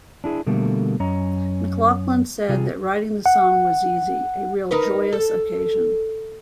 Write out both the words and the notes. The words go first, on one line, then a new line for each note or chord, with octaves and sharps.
McLachlan said that writing the song was easy, a real joyous occasion.
D4 E4 G#4
B2 D3 G3 A3 A#3
F#2 C#4 D#5 A#5
C3 G3 F4 G#4
F#5
D#4 A#4 B4
A4